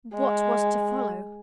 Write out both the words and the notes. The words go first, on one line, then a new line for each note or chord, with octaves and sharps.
What was to follow?
G#3